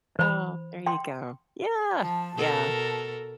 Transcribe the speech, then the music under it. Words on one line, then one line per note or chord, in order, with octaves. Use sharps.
Oh, there you go yeah, yeah.
E3 C5 B5
G5 C6
F3 A5
B2 A4 A#4